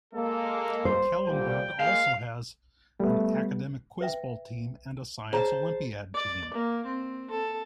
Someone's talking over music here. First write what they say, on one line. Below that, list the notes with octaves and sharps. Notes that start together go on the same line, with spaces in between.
Kellenberg also has an Academic Quiz Bowl team and a Science Olympiad team.
G#3 A#3 A4
C5
A#2 D3 G3 G5
G#3 A#3 F5
G3 A3 B3
B4 E5 G5
G#4 C5 C#5 A5 A#5
D5
A#3
C4
A4